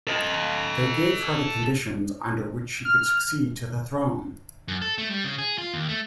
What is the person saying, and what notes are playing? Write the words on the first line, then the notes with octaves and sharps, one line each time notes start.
They gave her the conditions under which she could succeed to the throne.
A4 D#5
F6
F#2
A4
A3
G3
C#3
G#4
F4
D#2
A3